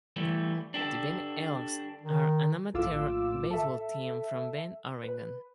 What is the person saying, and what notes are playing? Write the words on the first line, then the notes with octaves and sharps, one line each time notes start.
The Bend Elks are an amateur baseball team from Bend, Oregon.
E3 G3 A3
D4 G4 A4
D#3
A#1 A2 F4 D6 E6
A4 E5
B4